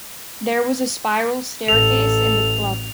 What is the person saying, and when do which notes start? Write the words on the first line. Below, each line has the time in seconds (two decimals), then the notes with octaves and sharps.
There was a spiral staircase in the club.
1.68 A1 A4 F7